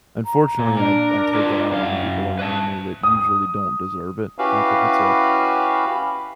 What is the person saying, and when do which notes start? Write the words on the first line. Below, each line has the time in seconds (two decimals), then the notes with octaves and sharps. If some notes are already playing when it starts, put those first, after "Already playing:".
unfortunately, I I take it out on people around me that usually don't deserve it. Like, if it's a
0.25 A#5
0.59 A#2
0.77 D4 A#4
1.35 F4 A#4 B4
1.72 F#2 F5
2.39 B4 E5 A5
3.03 D#6
4.39 C#4 E4 F#4 G4 B4 F5